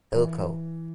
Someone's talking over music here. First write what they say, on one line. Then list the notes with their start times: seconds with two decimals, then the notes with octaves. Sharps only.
Hill Co.
0.15 E3